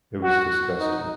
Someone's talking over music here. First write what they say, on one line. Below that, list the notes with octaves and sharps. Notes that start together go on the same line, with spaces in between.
It was disgusting.
F#4
D#4